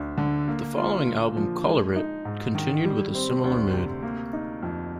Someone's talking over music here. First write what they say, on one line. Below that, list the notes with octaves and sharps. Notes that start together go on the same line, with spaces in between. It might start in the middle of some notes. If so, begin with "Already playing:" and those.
The following album, "Color Rit", continued with a similar mood.
Already playing: D2 D4
D3
A#3
F4
A#2
F3
G#3
D#4
G#2
D#3
G3
C4
D2
C3
A#3
D#4
F2